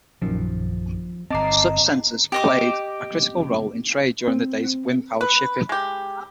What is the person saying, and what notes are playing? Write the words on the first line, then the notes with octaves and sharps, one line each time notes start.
Such centers played a critical role in trade during the days of wind-powered shipping.
A#1 F#2 D#3 F3
G1 C4 D#5 A5 A#5 D6 C7
G4 D#5 D6
C4
B4
G#3 G4